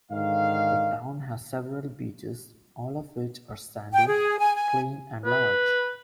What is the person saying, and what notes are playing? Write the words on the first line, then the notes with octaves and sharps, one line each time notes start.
The town has several beaches, all of which are sandy, clean and large.
G#2 D3 D#3 F5
G5
G#4
G#5
G#5
B4